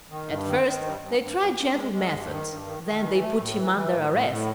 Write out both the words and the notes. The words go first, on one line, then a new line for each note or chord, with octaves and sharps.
At first they tried gentle methods, then they put him under arrest....
D#3
G2
D#3
D#3
G2
G2
G2
G2
G2
G#3
G#3
G2
D#3
G2
D#3
D#3
E3
A3
A2
E3
E3
A2
A2
A2